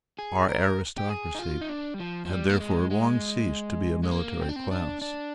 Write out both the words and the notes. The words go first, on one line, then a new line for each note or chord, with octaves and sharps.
Our aristocracy had therefore long ceased to be a military class.
G#4
A#4
G4
G#4
D#4
F4
D#4
D4
G3
F3
F3
G3
A#3
G#3
G#3
G#3
A#3
C4
D4
C4
D4
D4